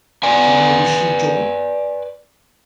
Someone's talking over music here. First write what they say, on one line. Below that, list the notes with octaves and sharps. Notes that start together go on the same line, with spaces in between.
"Shall I wish you joy?"
B4 D5 G#5